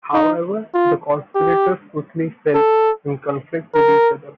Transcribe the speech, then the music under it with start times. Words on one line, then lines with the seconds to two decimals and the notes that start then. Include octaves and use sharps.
However, the conspirators quickly fell in conflict with each other.
0.14 D#4
0.74 F4
1.35 G4
2.55 A4
3.75 A#4